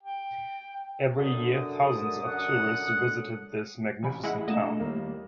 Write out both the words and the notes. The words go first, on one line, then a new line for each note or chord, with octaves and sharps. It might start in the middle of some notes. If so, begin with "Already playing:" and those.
Every year, thousands of tourists visited this magnificent town.
G5
F#2 D3 D#6
F#5
A1 G#5 B5
G#3 E4 F#5
A#2 A3 D4 D#5 E7
D#2 G3 A#3